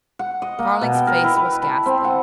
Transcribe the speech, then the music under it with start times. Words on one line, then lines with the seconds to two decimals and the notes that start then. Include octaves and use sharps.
Carling's face was ghastly.
0.19 F#5
0.42 D#5
0.59 A#3
0.81 B2
0.95 G5
1.07 A#4
1.24 E4
1.36 B4
1.63 A5
1.86 C4
2.04 F#5